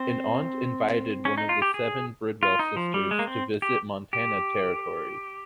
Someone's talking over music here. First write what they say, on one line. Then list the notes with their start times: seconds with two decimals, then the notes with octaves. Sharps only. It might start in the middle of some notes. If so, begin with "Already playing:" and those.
An aunt invited one of the seven Bridwell sisters to visit Montana Territory.
Already playing: C4
1.25 C#4
1.38 D#4
1.49 F4
1.62 G4
1.74 G#4
2.43 F4
2.59 D#4
2.77 F3
2.94 G3
3.11 G#3
3.19 A#3
3.27 C4
3.62 G4
4.13 G4